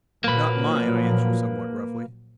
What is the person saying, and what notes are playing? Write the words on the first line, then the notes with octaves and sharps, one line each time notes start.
"Not mine," I answered somewhat roughly.
A#2 F3 F#3 A#3 B4